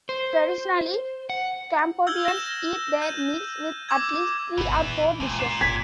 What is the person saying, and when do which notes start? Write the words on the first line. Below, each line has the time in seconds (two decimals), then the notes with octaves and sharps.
Traditionally, Cambodians eat their meals with at least three or four dishes.
0.09 C5
1.30 F#5
2.07 E6 F6 G6 G#6 F#7 G7
2.25 A#6 E7
3.02 G6 D#7
3.89 D6 E6 G#6
4.57 G#1 B2 E3 B3
4.77 A#2 D3
5.20 D#2 A#2 G#3
5.39 A#2 C7 E7
5.61 G#1 B2 G#6 B6